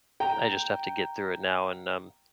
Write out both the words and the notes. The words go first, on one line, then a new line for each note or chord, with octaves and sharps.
I just have to get through it now and, um,
G5 A#5